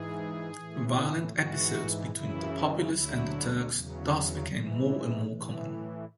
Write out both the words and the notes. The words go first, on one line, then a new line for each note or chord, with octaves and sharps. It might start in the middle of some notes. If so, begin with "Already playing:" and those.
Violent episodes between the populace and the Turks thus became more and more common.
Already playing: G#2 E3 G#4
A2 E3
G#2 E3 F#4
F#2 C#3 E3 E4
D2 D3 F#3 E4
E2 C#3 F#3
G#2 E3
A2 E3